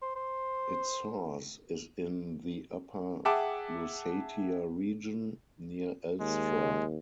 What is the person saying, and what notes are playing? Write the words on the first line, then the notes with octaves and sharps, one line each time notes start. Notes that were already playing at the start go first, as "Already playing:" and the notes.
Its source is in the Upper Lusatia region, near Elstra.
C5
C5
G#4 E5 F#5 G5 A5 D6
D#2 G#3